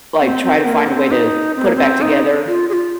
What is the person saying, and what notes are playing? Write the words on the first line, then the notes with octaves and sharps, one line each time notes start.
Like, try to find a way to put it back together,
C4
C4
A#3
C4
D#4
C4
A#3
C4
D#4
F4
G#4
F4